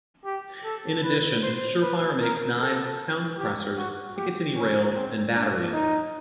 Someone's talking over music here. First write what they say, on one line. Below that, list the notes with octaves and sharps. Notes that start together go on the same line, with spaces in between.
In addition, Surefire makes knives, sound suppressors, Picatinny Rails and batteries.
G4
A4
B4
C5
B4
A#4
A4
G4
F#4
G4
C#4
C4
D4
D#4